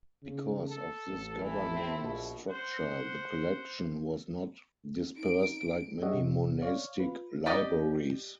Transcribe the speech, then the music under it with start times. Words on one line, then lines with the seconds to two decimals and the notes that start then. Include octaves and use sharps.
Because of this governing structure, the collection was not dispersed like many monastic libraries.
0.23 C#3
0.69 A4
1.07 A1
1.40 E3 E4 A4
1.72 C4
2.01 A#1 B2
2.50 C5 F#5
5.17 D#4 D7
6.02 G4 G#4 C#5 D#5 E5 F#5
6.14 C3
6.61 C#5 D5 F5
6.99 F4 B4
7.46 G4 D5 D#5